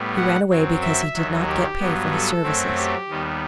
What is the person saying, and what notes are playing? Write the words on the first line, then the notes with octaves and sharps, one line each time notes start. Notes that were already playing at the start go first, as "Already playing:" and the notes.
He ran away because he did not get pay for his services.
Already playing: A2 G3 B3
F#5
F#2 F#3 C4
E5
D#2 D#3 F#3
G4
G2 F#3 B3
A4
F#2 F#3 A3 C4
G4
D#2 D#3 G3 B3